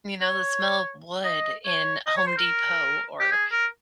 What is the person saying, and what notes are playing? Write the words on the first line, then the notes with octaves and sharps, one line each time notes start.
You know, the smell of wood in Home Depot or
C#5
D#5
C#5
D#5
C#5
C5
A#4
G4
G#4
A#4